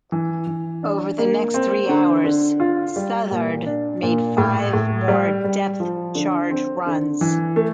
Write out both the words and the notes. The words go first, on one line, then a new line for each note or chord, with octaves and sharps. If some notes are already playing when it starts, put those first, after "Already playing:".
Over the next three hours "Southard" made five more depth-charge runs.
E3
E3
D4
A#3
C4
D3
D3
F4
G3
A#2
D4
A#2
A2
A2
G3
G3
F3
D3
C4
D3
E3
A3